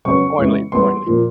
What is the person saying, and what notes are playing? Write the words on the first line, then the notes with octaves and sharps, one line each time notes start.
Corn leaf corn leaf.
C#3 F#3 B3 C#6
C#3 E3 G#3 B3
E3 G3 B3 C6
A#2 F3 A#3